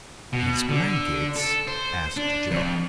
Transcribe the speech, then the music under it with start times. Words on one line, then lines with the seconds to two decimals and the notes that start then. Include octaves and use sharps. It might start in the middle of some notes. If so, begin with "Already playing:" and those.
"His blankets?" asked Joe.
0.33 B2
0.69 D3
1.36 A4
1.67 C5
2.17 D4
2.51 F2